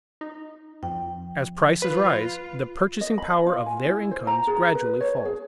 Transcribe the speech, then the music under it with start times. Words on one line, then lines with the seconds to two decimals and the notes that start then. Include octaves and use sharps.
As prices rise, the purchasing power of their incomes gradually falls.
0.21 D#4
0.83 F2 G5
1.82 F4 B4
3.01 D#5
3.18 B5
3.46 F4
3.66 G#5
3.86 E4
4.11 C5
4.27 A#5
4.47 G#4
4.75 B4
5.00 C#5
5.25 G#4